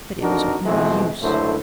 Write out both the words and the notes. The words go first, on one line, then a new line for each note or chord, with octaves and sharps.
But it was of no use.
A1 F2 D4 D#4 F#4 A#4
B2 E3 F3 G#3 A3 C4
C#2 F#2 D3 A3 E4 C5